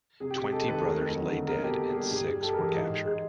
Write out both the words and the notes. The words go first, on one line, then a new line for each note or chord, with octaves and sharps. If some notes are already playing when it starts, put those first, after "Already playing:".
Twenty brothers lay dead and six were captured.
C3 G#4
G4
C3 G#4
G#3 G4 A4
D#3 A4 B4
A3 G#4 A#4
F2
F#3
D3
B2 G#4 A#4
B2 G4 A4
A#3
G#4
G3
G4
G2 G#4
G2 G#4
G#3 G4 A4
G#4 A#4
E3
G#4
G#2 G#4
G#2
G#3 G#4